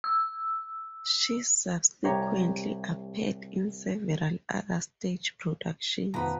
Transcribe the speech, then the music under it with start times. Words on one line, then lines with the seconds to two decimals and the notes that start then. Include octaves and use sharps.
She subsequently appeared in several other stage productions.
0.04 E6
2.04 C2 G4 C#5 G5 A#5
6.14 F1 B2 D#3 F3 B4 F#5 A#5 B5